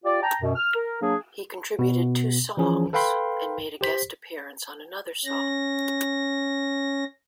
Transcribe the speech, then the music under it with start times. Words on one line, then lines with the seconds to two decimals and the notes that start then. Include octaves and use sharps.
He contributed two songs, and made a guest appearance on another song.
0.05 F4 G4 D5
0.23 G5 A5 A#5
0.42 F#2 B2
0.56 F6
0.75 A#4
1.02 F#3 A#3 D4 G#4
1.79 B2 B3
2.57 E3 F3 C#4 G#4
2.93 A4 B4 F5 G5 B5 C6
3.81 G4 C5 B6
5.25 C#4 A#6